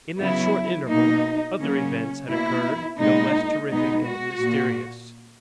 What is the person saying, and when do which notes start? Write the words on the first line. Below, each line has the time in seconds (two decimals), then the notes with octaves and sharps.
In that short interval other events had occurred no less terrific and mysterious.
0.18 C#3 F#3 B3 E4
0.89 B2 A#3 D#4
1.59 C#3 F#3 A#3 C#4
2.30 B2 A#3 E4
3.00 A#2 G#3 B3 D#4
3.70 B2 G#3 B3 D#4
4.05 F#4
4.41 A#2 A#3